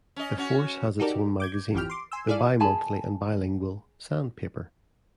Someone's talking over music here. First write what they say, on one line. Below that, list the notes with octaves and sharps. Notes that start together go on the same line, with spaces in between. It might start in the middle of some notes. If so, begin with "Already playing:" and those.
The Force has its own magazine, the bimonthly and bilingual "Sandpaper".
C#4 D#5
C#4 F#4
D#4 F#4 G4 A4 A#4 D5
D6 G6 G#6
G#1 E3 F3 G4 G5 F6
C6 D6
G#5 C6 E6
E4 G#4 A4 D5 F5
G#4 G#5 A5 B5